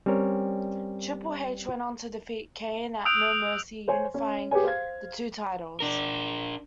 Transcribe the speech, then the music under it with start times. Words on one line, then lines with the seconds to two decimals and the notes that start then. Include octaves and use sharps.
Triple H went on to defeat Kane at No Mercy, unifying the two titles.
0.06 G3 C4 C#4 A#4 C#5
3.05 D#6 E6 F#6 G6 D7 F7
3.88 C5 C#5 G#5
4.14 C#4
4.51 G4 G#4 B4 C#5 G#5
4.63 C5 F5 G#6
5.80 D4 A#4